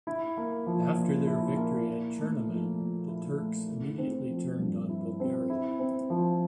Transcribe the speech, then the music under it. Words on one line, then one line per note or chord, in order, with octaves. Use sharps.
After their victory at Chernomen, the Turks immediately turned on Bulgaria.
E4
A#3
F3
A#2
E4
A#3
E4
A3
F3
A#2
E4
A3
E4
C4
F3
G2
E4
C4
E4
C4
F3